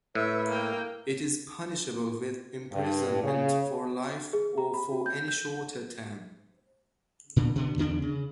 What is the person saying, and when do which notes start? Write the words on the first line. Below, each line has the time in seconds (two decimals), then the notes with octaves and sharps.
It is punishable with imprisonment for life or for any shorter term.
0.15 A2 B4 E5
0.48 A#3 G5
2.72 G2
3.22 C#3
4.33 G#4
4.58 A#5
4.74 B5
4.92 F#4
5.06 G6
5.28 G6
7.36 A#2 D3
7.55 B2 D3 B3
7.78 E2 D3 D4
8.02 C#3